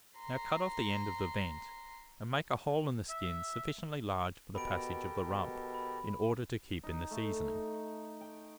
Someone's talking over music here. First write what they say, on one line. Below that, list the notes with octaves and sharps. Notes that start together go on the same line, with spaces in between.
Now cut off the end of the vent, and make a hole in the skin sufficiently large for the passage of the rump, in order to keep in the seasoning.
A#5 C6
E5
B2 G4 A4 A#4 B5 D7
B2
B5
D#4
A3
D#4
G5